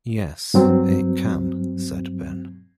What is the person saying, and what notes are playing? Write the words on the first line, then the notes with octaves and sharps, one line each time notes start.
"Yes, it can," said Ben.
G2 F#3 C4